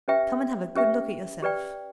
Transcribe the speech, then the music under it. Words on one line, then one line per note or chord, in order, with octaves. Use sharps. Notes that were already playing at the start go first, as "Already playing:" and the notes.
"Come and have a good look at yourself."
C#4 G4 B4 E5 G5
C#4 G4 B4 E5 G5
G4 B4 D5 G5